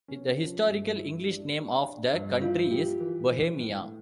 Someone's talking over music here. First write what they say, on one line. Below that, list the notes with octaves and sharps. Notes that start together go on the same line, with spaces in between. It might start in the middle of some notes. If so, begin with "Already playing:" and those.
The historical English name of the country is Bohemia.
C#4
F3
G2
E4
D4
D4
D4
G2
E4 F4
G4
E3
E3
A2